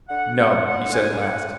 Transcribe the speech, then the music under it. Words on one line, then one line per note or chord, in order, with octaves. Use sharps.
'No,' he said at last.
D3 F#5
G#3 F#5
D3 F#5
F#2 G#5
G#3 F#5